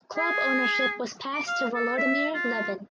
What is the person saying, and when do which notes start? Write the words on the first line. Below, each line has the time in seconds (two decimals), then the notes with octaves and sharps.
Club ownership was passed to Volodymyr Levin.
0.16 G#4
1.33 D6
1.48 F5
1.74 A4
1.97 E5
2.34 F4